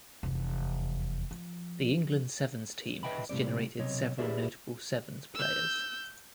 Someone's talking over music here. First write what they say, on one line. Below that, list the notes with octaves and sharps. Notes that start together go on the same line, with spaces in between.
The England Sevens team has generated several notable sevens players.
F1 E2
F3
B4 D#5 E5 G5 A5 B5
A2 C3 G3 C4 D5
B1 C3 C#5 D#5
E4 G4 G#4 B4 D5 E5
E6 G6